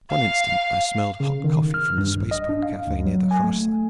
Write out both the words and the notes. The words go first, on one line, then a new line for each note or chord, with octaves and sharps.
One instant I smelled hot coffee from the spaceport cafe near the Kharsa.
F5
C#3
D#3
F6
G2
A#1
D#5
D4
F5
D2
F#3
G#5
A3